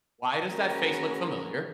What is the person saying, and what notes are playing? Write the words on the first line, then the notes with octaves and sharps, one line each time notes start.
"Why does that face look familiar?"
A#3 C#4 F#4 G#4 A#4 B4